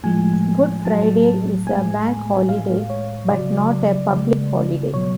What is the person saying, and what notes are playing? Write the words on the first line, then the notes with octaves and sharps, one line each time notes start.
Good Friday is a Bank Holiday, but not a Public Holiday.
A2 F3 G#3 G#5
A2 F#3 A5
A2 G#3 G#5
A2 G#3 F5
C#5
C#3 F#3 D5
C#3 G#3
B2 F#3 C#5